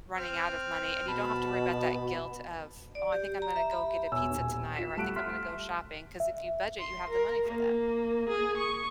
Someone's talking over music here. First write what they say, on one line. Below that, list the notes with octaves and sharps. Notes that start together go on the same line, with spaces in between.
running out of money, and you don't have to worry about that guilt of, "Oh, I think I'm gonna go get a pizza tonight," or, "I think I'm gonna go shopping," 'cause if you budget, you have the money for that.
C4 F6
B2 A5 B5
D5
G4
A#5
E5
B5
E2 B2 C#5 G#5 E6
D#1 G#5
F4 B6 E7
G3 A3 F#5 F#6 D7
E5 C6 F6 B6
E5
C6
A#4
A#3
G#4
C#6